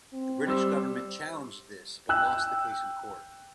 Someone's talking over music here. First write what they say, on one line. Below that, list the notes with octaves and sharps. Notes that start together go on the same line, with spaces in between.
The British government challenged this but lost the case in court.
C4
G3 C5 E6
G5 E6 F#6